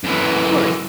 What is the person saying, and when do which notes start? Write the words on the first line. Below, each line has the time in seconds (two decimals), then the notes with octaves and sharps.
Of course.
0.04 F#2 E3